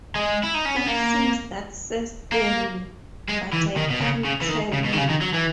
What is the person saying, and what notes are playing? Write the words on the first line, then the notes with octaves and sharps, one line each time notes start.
It seems that Sir Stanley - but I can't tell you!
G#3
E4
D#4
C#4
B3
A#3
A#3
G#3
E3
D#3
B2
C#3
C#3
E3
D#3
C#3
B2
D#3
C#3
D#3
F#3
E3